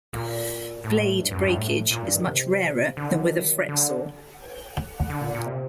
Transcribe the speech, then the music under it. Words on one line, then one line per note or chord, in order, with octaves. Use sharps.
Blade breakage is much rarer than with a fretsaw.
A#2
A2
G2
F#2
G2
A2
A#2
G2
D#3
C3
D3
D#3
F#3
D#3
F#3
D3
D3
D3
A#2
A#2
C3